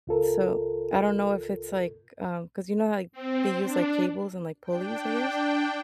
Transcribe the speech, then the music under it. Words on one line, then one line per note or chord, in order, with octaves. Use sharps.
So, I don't know if it's like, um 'cause, you know, like, they use, like, cables and, like, pulleys, I guess?
C#2 F4 A4 A#4
C4
D4
D4 G5